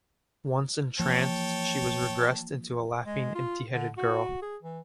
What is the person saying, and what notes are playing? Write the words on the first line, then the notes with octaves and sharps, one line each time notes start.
Once entranced she was regressed into a laughing, empty-headed girl.
E3 F3 A#3 C#5 G5 A5
G#3
F4
D3
F#4
G#4
E3